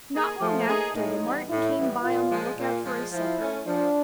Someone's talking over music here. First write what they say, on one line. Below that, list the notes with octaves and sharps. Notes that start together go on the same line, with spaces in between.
Not long after the marten came by on the look out for his supper.
A#3 D#4 G#4
F3 A3
A#3 D#4 G#4
A2 D#4
E3 G3 B3
A2 E4
E3 G3 B3
A#2 F4
F3 G#3
A#2
F3 G#3
F3 E4
A3 C#4
F3 D4